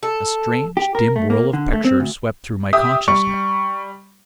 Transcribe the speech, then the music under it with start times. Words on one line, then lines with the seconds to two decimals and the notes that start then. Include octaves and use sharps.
A strange, dim whirl of pictures swept through my consciousness.
0.03 A4
0.77 G4
0.95 A#4
1.16 A3
1.30 A#3
1.53 D3
1.73 A3
1.85 C4
2.00 D2
2.73 G4 E5 D#6
3.08 G3 C#6